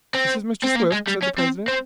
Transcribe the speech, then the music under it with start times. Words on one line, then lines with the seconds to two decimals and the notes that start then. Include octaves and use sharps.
"This is Mr. Swift," said the president.
0.15 C4
0.64 C4
0.76 A#3
0.92 G#3
1.07 G3
1.22 C#4
1.38 C4
1.68 C4